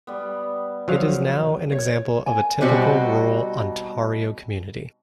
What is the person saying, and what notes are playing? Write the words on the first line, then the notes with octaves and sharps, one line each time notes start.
It is now an example of a typical rural Ontario community.
G3 B3
F3 F#3 F5
C#5
G#5
B2 G3 C4 D#4 F#4